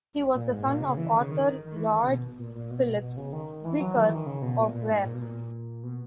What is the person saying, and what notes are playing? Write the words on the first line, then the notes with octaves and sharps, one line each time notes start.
He was the son of Arthur Lloyd-Phillips, Vicar of Ware.
A#2
G#2
A#2
B2
C#3
E3
D#3
C#3
D#3
D#3
E3
D#3
C#3
B2
A#2
A#2
B2
B2
B2
C#3
D#3
E3
F#3
D#3
E3
D#3
C#3
B2
A#2
A#2
G#2
A#2
B2
A#2
B2